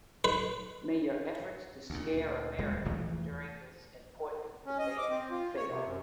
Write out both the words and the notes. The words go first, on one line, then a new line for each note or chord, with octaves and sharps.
May your efforts to scare Americans during this important debate fail.
B4
D2 A#2
D#1 G#3
F1 E2 E3 A3
C#4
D#5
D6
C4
F4
C#5
C3
F#2